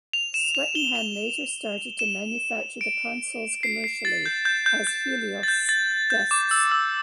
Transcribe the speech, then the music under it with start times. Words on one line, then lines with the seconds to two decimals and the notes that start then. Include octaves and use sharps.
Swettenham later started to manufacture the consoles commercially as Helios desks.
0.13 F7
0.34 E7
0.55 F7
0.75 G7
0.96 F7
1.99 E7
2.81 D7
3.63 C7
3.84 C7
4.05 A6
4.26 G6
4.45 G6
4.66 G6
4.87 G6
5.43 A6
5.48 G6
5.69 A6
6.10 G6
6.31 D6
6.51 E6
6.72 E6